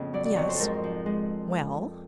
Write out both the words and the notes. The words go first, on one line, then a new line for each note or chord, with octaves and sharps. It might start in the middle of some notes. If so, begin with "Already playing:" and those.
"Yes." "Well?"
Already playing: F2 A2 C#3 B3
F#3 D5
D5
F2 C#5
C5
A4
G#2 A#4
F3
G#3